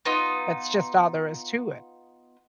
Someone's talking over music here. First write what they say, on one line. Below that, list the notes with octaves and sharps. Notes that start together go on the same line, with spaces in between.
That's just all there is to it.
B3 D#4 F4